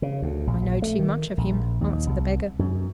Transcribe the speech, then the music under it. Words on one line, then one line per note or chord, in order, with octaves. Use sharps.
"I know too much of him," answered the beggar.
C#3
D2
A#1
A3
D#3
A#1
D#2
C2
F#2